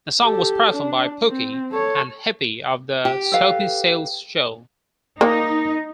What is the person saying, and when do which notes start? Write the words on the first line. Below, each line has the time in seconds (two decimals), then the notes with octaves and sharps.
The song was performed by Pookie and Hippy of The Soupy Sales Show.
0.24 G4 A4
0.72 D4
1.29 C4
1.72 A4 C#5
3.05 G4
3.32 A4 B4 F5
5.21 A#3 D#4